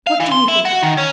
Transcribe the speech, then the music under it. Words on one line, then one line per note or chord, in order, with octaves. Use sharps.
What do you think?
F5
E3
C6
E4
F#4
D#3
C#4